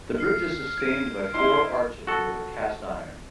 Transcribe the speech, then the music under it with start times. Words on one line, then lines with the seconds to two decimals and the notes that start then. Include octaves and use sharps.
The bridge is sustained by four arches made of cast iron.
0.18 F6 C7
0.78 G#6 D7
1.34 D#4 E4 C6
2.07 F#4 A4